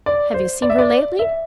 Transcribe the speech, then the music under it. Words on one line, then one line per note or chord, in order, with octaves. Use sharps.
"Have you seen her lately?"
D5
C5
D5
E5
D5
E5